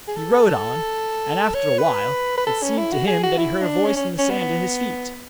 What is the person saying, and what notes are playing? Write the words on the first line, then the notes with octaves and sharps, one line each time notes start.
He rode on, and after a while it seemed to him that he heard a voice in the sand at his feet.
G#4
A4
C#5
B4
B4
A4
C#4
E4
F#4
G#4
F#4
E4
D4
C#4
C#4
C#4
B3